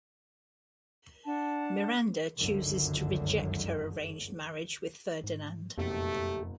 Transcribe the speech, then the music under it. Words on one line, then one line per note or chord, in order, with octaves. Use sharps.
Miranda chooses to reject her arranged marriage with Ferdinand.
D4 F#5 A5
G1 C#2 F#2 D3 D#3 F#3
G#2
F#1 F2 B2 A3 G4